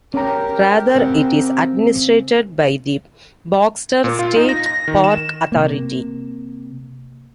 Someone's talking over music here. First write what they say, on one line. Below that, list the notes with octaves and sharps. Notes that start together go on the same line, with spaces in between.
Rather it is administered by the Baxter State Park Authority.
C#4 G4 A#4 A#5
C#3 C4 F#5
A#2
F4
D#4
A#6
A#6
D#3
E7
C3 A#3